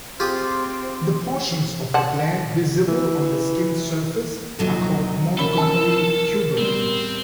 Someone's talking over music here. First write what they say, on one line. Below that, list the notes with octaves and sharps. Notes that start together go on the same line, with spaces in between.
The portions of the gland visible on the skin's surface are called "Montgomery tubercles".
C4 F4 G4 G#4
F#5 A5
E3
D#1 A#1 C3 F#3 D#4 A4
C#4 A4 A#4 B5 G7
A5 E6
G3 B3 C4 C5